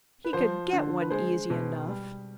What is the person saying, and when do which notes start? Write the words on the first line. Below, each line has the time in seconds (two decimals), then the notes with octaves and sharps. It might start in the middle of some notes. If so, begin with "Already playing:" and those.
"He could get one easy enough."
0.24 B4
0.33 F3 C5
0.73 D3
1.01 B4
1.11 G#3 C5
1.50 B2
1.88 G3